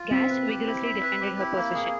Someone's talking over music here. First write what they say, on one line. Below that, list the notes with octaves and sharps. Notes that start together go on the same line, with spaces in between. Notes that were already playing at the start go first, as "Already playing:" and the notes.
Gash vigorously defended her position.
Already playing: F4
C4 E5
B4
G4
E4
E5
B4
G4
E4
A#3
G#4